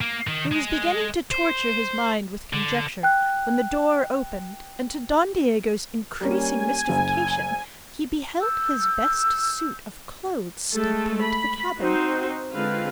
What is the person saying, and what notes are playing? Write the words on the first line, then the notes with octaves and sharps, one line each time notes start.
He was beginning to torture his mind with conjecture, when the door opened, and to Don Diego's increasing mystification he beheld his best suit of clothes step into the cabin.
A#3
D#3
G#3
C5
D3
G5 F#6
G3 A#3 C#4 G#5
F#1
E6 G6
G#3 A3 A4
B5
C4 D#4 F#4 C5
D3 G#3 C4 F4 B4 F5